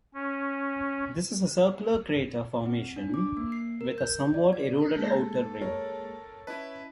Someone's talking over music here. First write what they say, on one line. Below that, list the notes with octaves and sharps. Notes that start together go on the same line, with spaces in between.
This is a circular crater formation with a somewhat eroded outer rim.
C#4
C4
D4
D6
A#3
C7
A#4
G6
D5
G#6
G#3 A#3 G#4 A4
A#4 C#5
C#4 E4 B4 D#5 A5